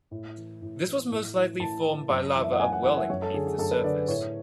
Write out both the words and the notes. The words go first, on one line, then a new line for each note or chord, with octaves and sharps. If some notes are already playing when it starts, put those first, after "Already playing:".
This was most likely formed by lava upwelling beneath the surface.
A2
E3
A2
E3
A2
E3
A2 A5
E3
F#2
E3
E5
F#5
F#2 G#5
F#5
E3 F#5
E5
F#2 C#5
A4
D3 G#4
G#4
F#2 A4
B4
D3 D5
A2 C#5